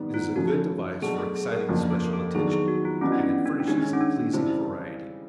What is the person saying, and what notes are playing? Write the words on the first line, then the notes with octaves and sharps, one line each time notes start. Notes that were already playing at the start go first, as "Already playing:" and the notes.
It is a good device for exciting special attention, and it furnishes a pleasing variety.
Already playing: G#2 D#3 G3 B3
F4
C#3 F3 A3 C#4 F#4
B2 F#3 A3 D4 G#4
A4
G#4
A#4
F2 C#3 F3 A#3 D4
A4
A#4
A4
D#3 F#3 B3 D4 G#4
G#4
F#4
F4
E3 G3 B3 C#4 D#4 F#4
D4
C#4
D4
D4
D#3 G#3 C#4 D#4
C#4
D4
C#3 E3 G3 C4 E4